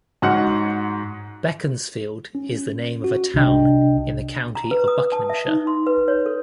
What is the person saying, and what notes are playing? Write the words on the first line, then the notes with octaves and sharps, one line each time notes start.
Beaconsfield is the name of a town in the county of Buckinghamshire.
G#2 D#4 F#4 C#5 F#5 F6
C#4
F#4
C2 C3 D4 D#5 G5
A#5
B4
D#6
A5
E5
D#4
C6
B4
C#5
A4